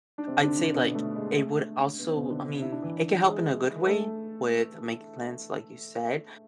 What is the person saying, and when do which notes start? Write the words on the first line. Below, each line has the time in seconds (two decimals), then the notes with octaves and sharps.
I'd say, like, it would also I mean, it can help in a good way with making plans, like you said,
0.18 D4
0.27 C3 C4
0.43 D3 D4
0.58 D3 D4
0.74 B2 B3
0.95 A3
1.16 G#3
1.36 A3
1.99 B3
2.08 C4
2.16 B2 B3
2.30 D3 D4
2.62 E4
2.72 D4
2.82 E3 E4
3.24 G#3 G#4
3.79 B4
3.87 A3 A4